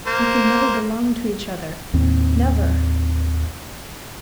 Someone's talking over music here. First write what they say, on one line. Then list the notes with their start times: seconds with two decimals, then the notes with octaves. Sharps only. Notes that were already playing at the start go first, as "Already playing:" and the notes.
"We can never belong to each other; never."
0.06 A#3 C5
1.94 D#2 A2 C4